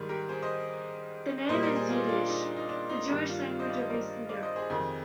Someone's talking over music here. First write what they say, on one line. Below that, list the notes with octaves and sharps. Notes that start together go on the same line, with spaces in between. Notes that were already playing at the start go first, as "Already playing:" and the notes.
The name is Yiddish, the Jewish language of eastern Europe.
Already playing: G#2 D#3 G3
G4 A#4
G#4 C5
C5 D#5
A#2 C5 D#5
G3
A#4 D5
G#4 C5
F4 G#4
D4 F4
D#4
D4
D#4
D4
D#4
G2 D#3 G3 D4
D4 F4
D4 F4
C5 D#5
D5 F5
C5 D#5
A#4 D5
D5 F5
C5 D#5
G#4 C5
F2 C3 D#3